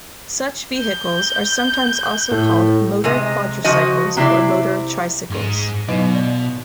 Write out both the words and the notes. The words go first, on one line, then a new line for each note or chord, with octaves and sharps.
Such vehicles are sometimes also called "motor quadricycles" or "motor tricycles".
G6
A2
C3 G#3 D#5
C#3 F3 F#4 D#5
C3 C4 E4 D5
G#2 G#3
B2 F#3 D#4 D#5
D5